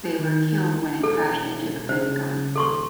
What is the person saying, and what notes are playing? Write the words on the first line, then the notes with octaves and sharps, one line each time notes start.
They were killed when it crashed into the Pentagon.
D#3
E1 A4
C#3 C5
D#1 A4 C6 C#6